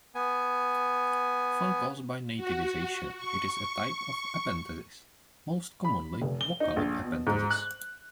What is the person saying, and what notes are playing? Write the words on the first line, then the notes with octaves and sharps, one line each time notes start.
Often caused by nativization, it is a type of epenthesis, most commonly vocalic epenthesis.
B3 G#5
F#4
C#6
B5
F1
G7
D#4
A#1
B2
G#2
F#6